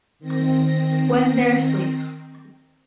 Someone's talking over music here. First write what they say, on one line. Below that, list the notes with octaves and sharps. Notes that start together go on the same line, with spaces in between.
When They're Asleep.
D#3 C4 A#6